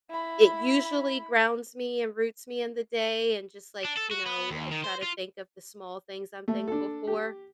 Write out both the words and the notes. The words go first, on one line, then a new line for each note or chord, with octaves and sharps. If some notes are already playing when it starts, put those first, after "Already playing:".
it usually grounds me and roots me in the day and just like, you know, I try to think of the small things I'm thankful for.
E4 B5
D4
A4
F#4
B3
D#2
D#3
C5
F4
A3
D4 A4
G4